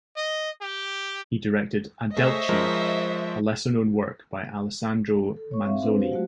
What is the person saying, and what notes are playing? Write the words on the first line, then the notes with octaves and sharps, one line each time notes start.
He directed "Adelchi", a lesser-known work by Alessandro Manzoni.
D#5
G4
A3 G#4 C5 C#5 D#5 E5
F3 G#3 A#4
A4
C#5 C#6
C4 E5 F5
C4 D4 B4 C5
F#4 G4 C5 F5
F#3 G#3 A3 F4 F#4